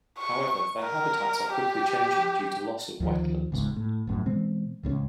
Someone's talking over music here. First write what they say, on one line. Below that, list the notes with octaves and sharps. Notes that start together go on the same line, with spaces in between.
However, their habitats are quickly changing due to loss of wetlands.
C#6
A#4
G4
D2 D#3 F3
E1 C#2 G#2
A2
G1 F#2 A2
B2 E3 G#3 C4
D1 C#2 B2 C#4